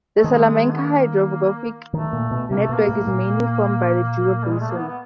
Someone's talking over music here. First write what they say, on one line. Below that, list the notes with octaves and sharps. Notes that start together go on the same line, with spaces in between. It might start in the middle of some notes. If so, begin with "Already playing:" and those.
The Salamanca hydrographic network is mainly formed by the Duero basin.
A3
D#3 G#3
B3
A#3
D#3 A3
A#2
B2
C3 A#3
A3
B2 A#3
A2
A#2
G3
G#3
A3
A#3
B3
B3